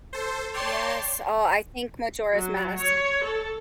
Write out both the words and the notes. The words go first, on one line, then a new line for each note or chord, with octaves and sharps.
Yes, oh, I think Majora's Mask.
A4 C5
C#5 D5 G5 A5 C6
F#3
C#5
A4